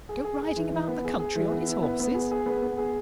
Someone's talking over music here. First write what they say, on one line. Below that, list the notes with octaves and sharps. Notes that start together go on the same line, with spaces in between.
Go riding about the country on his horses!
G#4
G#4
G#4
E3
E3
B3
G#4
G#4
E3
B3
E4
B3
B3
G#4
G#4
B3
B3
G#4